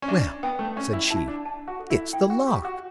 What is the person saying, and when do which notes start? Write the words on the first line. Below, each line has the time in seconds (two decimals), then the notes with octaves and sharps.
"Well," said she, "it's the Lark!"
0.02 C#4
0.08 D4 E5
0.43 B3 G5
0.59 A3
0.76 C#4 E5
0.93 E4
1.10 E4 A5
1.28 D4
1.45 A5
1.68 F#4
1.80 A4
1.90 E4
2.13 E4 G5
2.30 F#4
2.47 G4 C#6
2.65 F#4